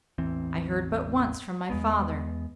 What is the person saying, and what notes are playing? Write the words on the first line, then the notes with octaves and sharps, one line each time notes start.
I heard but once from my father.
A1 E2 E3 C4
E2 G#3 B3